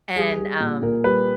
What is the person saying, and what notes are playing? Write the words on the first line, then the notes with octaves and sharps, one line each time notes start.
And, um,
G3 G#4
G3
A#2
A#2 A#4
G3 B4